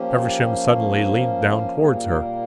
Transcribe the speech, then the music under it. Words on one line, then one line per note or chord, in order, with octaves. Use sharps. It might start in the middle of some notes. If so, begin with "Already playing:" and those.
Feversham suddenly leaned down towards her.
Already playing: F3 A#3 C#4 G4
A#2 G3 A#3 G#4
A#4